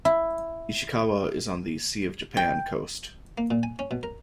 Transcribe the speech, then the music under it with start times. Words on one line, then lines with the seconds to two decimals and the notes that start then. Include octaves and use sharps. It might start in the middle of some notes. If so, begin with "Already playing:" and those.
Ishikawa is on the Sea of Japan coast.
0.05 E4
2.37 G5
3.38 A#3
3.51 A#2
3.63 G#5
3.79 C#4
3.91 B2
4.03 A#4